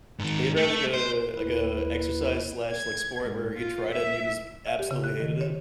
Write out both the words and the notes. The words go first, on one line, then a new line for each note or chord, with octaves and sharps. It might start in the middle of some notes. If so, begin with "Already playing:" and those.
Have you ever had like uh like, uh, exercise slash like sport where you tried it, and you just absolutely hated it?
G#2 D#3
A3
C5
D#2 E4 B4
G#6
G#2
F4
E5
E5
G4
C#3
F#6
D#3
C#5